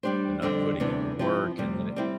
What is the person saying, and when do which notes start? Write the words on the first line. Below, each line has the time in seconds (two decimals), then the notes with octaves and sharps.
They're not putting in the work, and then it
0.03 G3 D4 G4 C5
0.42 F2 D3 G3 C4
0.80 E2 C3 E3 G3 D4
1.19 F3 C4 E4
1.58 D2 C3 G3
1.96 G3 C4 E4